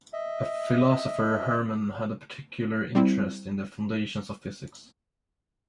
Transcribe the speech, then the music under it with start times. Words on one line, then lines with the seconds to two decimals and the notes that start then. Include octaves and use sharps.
As a philosopher, Hermann had a particular interest in the foundations of physics.
0.13 D#5 E5
2.95 G3 C4 E4